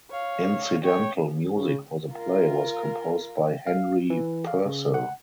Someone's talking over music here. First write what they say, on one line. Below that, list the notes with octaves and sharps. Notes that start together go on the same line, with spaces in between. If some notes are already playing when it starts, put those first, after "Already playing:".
Incidental music for the play was composed by Henry Purcell.
C#5 F5
C#5 G5
C#3
F4 A#4
F5
E3
F5
C#3
F#5